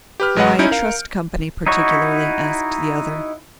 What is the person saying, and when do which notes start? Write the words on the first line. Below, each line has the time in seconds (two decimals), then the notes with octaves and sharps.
"Why a trust company particularly?" asked the other.
0.20 G4 B4 F6
0.36 A1 G#3 B4 D#5 F#5
0.59 C#4 D#4 E4 G6 C#7 D7
0.71 A#4 F5
1.67 D#4 E4 F#4 C#5 C#6